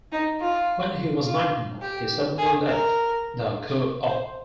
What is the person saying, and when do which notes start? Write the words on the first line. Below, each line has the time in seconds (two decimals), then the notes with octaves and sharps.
When he was nineteen he suddenly left the Co-op.
0.12 D#4
0.40 F4
1.25 F4
1.82 G4
2.38 G#4
2.67 A#4
4.07 C5